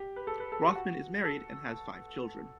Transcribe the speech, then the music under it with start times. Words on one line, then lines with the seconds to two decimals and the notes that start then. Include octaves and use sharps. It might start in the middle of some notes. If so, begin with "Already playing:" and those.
Rothman is married and has five children.
Already playing: G4
0.16 B4
0.27 A4
0.40 B4
0.52 A4
0.63 G4
0.75 F#4
1.24 A4